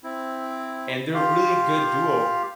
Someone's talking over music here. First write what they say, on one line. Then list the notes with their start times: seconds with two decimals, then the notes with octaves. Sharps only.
and they're a really good duo,
0.04 C4 E4
1.14 F4 G4 F5